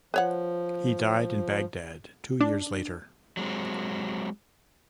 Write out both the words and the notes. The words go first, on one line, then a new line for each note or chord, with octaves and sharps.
He died in Baghdad two years later.
F3 B4 C#5 F#5
D4
F#3 G#3 C4